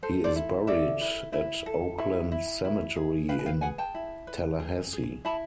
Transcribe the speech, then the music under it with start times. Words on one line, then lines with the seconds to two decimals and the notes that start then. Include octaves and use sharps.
He is buried at Oakland Cemetery in Tallahassee.
0.03 A4 C5
0.24 C5 D5
0.35 E4
0.67 A4 D5 E5
1.01 E4
1.33 E4
1.66 A4
1.98 E4
2.32 E4
2.64 E4
2.96 G#4
3.29 B4 F5 G5
3.39 G#5
3.46 F5 G5
3.61 G#4 F#5 G#5
3.78 G5 A5
3.94 E4
4.27 B4
4.59 G#4
4.93 G#4
5.25 E4 A5 B5